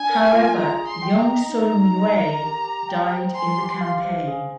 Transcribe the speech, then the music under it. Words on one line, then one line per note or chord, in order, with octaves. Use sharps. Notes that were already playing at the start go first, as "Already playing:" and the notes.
However, Gongsun Yue died in the campaign.
Already playing: D4 G#5
A#4
F4
G#4 A#5
G#4
C6
G5
A#5
D#5
D#4
D#4
D#5
A#4
G4
G4
G5
C5
G#5 C6
G4
F5
C5
G#4